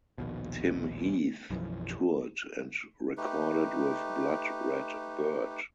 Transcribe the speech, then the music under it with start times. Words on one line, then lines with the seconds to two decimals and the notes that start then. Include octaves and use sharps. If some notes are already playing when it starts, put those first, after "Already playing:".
Tim Heath toured and recorded with Blood Red Bird.
0.18 A#1 D#2 B2
1.50 B1 F#2 E3 F3
3.17 A3 D#4 G4 B4